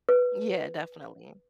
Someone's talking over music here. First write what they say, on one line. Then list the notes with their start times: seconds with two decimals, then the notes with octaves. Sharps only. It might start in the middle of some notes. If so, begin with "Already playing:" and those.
Yeah, definitely.
0.09 B4